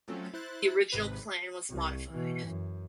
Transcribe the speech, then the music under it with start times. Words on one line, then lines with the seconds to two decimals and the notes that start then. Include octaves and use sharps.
The original plan was modified.
0.08 F3 F#3 A3 C4 C#4 A4
0.34 E4 C5 F#6 A6
0.92 G#1 G#2 C3 B4
1.69 C2
2.10 B2 E3
2.48 F#2